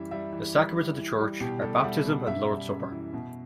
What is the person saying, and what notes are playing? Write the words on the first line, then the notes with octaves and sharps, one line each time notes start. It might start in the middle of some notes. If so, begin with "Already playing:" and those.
The sacraments of the church are baptism and the Lord's Supper.
Already playing: F#2 E3 G3 E5
G3 E5
E3
G3
E3
E3
G3
B2 G4
G3 A4
E5
G3 F#5
B2
F#2 E5
G3
F#2
E3
B2